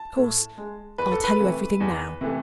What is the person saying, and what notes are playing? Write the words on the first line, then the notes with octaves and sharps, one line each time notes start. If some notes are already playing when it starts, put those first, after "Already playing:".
Of course I'll tell you everything now.
Already playing: A5
A2
G#3
E2 B4
A4
B4
C3 E3 A3
E2
C3 E3 A3